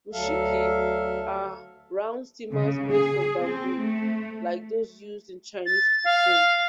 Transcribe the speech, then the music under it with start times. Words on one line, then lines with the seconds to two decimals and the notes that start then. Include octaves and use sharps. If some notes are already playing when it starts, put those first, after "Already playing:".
"Mushiki" are round steamers made from bamboo like those used in Chinese cuisine.
0.13 D2 F#3 A4 E5 F5
2.52 C#3
2.90 G#4
3.41 C4
3.81 A3
5.66 A6
6.04 F5